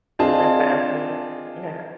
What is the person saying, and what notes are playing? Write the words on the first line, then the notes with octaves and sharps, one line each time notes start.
Isn't that fascinating? Yeah.
C4 D4 F4 G#4 D#5 A5